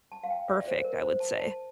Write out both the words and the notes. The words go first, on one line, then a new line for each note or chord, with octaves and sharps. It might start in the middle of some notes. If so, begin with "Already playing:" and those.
perfect, I would say.
A5
F5
G5
E5
D5
C5
A#4
C5
A5
A5